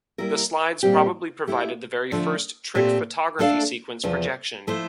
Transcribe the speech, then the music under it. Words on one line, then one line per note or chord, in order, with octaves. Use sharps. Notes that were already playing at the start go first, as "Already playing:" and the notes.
The slides probably provided the very first trick photography sequence projection.
G3 A#3 E4 A#4
A#2 G3 C4 G4
A3 E4 G4
D3 F3 A3 D4
A#2 A3 C4 G4
A3 D4 A4 D5 F5
E2 C3 F3
F3 A3 E4 A4 C5